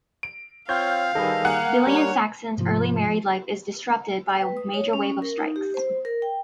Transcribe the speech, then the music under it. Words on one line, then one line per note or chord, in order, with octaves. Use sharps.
Billy and Saxon's early married life is disrupted by a major wave of strikes.
D7
C4 F4 C#5 F5 G6
D#3 G3 G#4 A4 B4 D#5
A#3 F#5 G#5 F#6
G3 C#5
G#2 C3 F3 A#3
G5
B4
D#6
C#5
C#4
A#4
D#4
G4
C5
A#4
G5